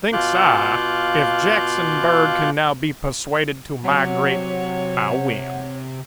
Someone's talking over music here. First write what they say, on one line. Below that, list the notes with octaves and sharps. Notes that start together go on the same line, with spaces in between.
Thinks I, if Jackson Bird can now be persuaded to migrate, I win.
B2 F4 F5 D6 F#6 G6
C3 F#3 C#5 F#5